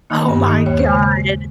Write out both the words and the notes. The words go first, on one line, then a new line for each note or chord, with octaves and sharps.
Oh my god!
D#3 A#3 D#4
G2
D#3 A#3 D#4
D#2 C#5
C5
C#3 G#3